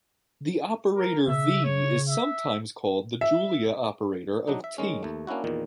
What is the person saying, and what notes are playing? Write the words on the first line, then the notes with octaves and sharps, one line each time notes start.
This operator "V" is sometimes called the Julia operator of "T".
A#4
C#3 E5
C#5
E5
E5
F#3 D4 D#4
E5
D#3 G#3 C#4
D#2 A3
A#3 C#4 D4 E4 F#4
E2 A#2 D#3